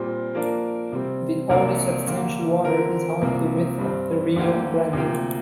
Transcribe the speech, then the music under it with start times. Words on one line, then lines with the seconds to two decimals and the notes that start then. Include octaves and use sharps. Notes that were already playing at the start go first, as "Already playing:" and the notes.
The only substantial water is half the width of the Rio Grande.
Already playing: A#2 G3 C4
0.34 F3 A#3 D4 A#4
0.92 C3 G3 C4
1.49 C2 C3 A#3 D4 A#4
2.07 D3 A#3 G4
2.64 D3 F3 C4 A#4
3.21 C2 C3 F3 A#3
3.78 G2 G3 C4
4.36 D2 D3 A#3 G4
4.93 D2 C3 F3 A#3 G4